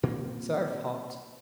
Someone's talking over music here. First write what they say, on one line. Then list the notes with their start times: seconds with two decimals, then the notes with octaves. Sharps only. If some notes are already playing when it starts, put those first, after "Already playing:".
Serve hot.
0.03 A#2 A#3 C4